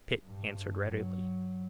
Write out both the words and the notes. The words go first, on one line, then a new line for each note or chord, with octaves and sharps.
Pitt answered readily.
G2
F#3